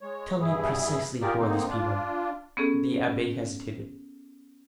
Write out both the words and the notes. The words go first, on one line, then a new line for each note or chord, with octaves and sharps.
"Tell me precisely who are these people." The abbe hesitated.
G#3 C#5
G2 B2 E4 G#4
F4 G4 G#4 A#4 D5
D3 A#3 C4 D#4
D4 F4
B3 C#4 G#4 A4